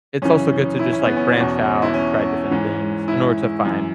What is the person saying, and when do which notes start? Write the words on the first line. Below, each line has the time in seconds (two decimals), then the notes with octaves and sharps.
it's also good to just, like, branch out and try different things in order to find
0.22 F#2 C#3 E3 C#4
0.79 E4
0.93 C#4
1.05 B3
1.17 C#4
1.37 E2 B2
1.82 E4
1.94 C#4
2.51 G#2 E3
3.08 E4
3.65 F#2 E3